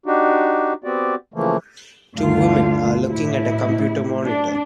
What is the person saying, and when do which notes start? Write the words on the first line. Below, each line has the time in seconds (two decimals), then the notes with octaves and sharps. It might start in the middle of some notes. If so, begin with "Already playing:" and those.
Two women are looking at a computer monitor.
0.06 D4 D#4 F#4 G4
0.84 B3 C4 F#4 G4 D5
1.34 C#3 E3 F3 A3 A#3
2.15 D2 G2 D3 A3 F4 F5
3.10 A2 E4
4.23 D4